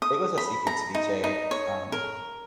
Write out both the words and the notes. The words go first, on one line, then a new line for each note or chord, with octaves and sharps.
it was a seafood ceviche. Um,
D#6
B5
A#5
D#4
D#4
C#5
A#4